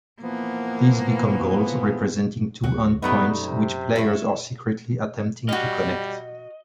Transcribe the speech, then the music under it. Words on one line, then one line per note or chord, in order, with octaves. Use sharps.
These become goals, representing two end-points which players are secretly attempting to connect.
E3 F3 A#3 B3
D2 C#3 F#3 F#4
F#2 G3 A3 B3 D#4
C3
E4 C#5
G3 F#4 D#5 F5